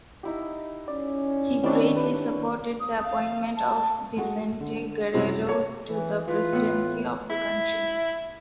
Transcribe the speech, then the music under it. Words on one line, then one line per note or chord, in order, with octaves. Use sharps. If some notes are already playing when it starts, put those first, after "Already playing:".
He greatly supported the appointment of Vicente Guerrero to the presidency of the country.
D#4 E4 G4
C#4 D5
D#3 G3 C4 D4 E4 C#5
G4 B4
D#6
F5
A5
G#3 F#4 A4
D3
F#2 C3 F#3 G3 C4 E4
A4 C#5
E3
E3 F4 B4
A2 B3
E4